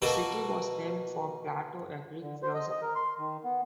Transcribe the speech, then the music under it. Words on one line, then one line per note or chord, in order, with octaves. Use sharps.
The city was named for Plato, a Greek philosopher.
B2 A#3 F#4 A4 C#6
D3
C5
D#5
D#5
A#4
C6
D#3
B3